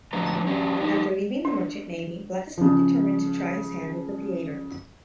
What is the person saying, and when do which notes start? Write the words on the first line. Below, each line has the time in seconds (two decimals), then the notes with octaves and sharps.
After leaving the Merchant Navy Blakiston determined to try his hand at the theatre.
0.13 A2 F3 D4 B4 A#5
0.47 C#4 D4 G4
0.81 D#4 G4 C5
1.45 D4
2.58 C#3 F3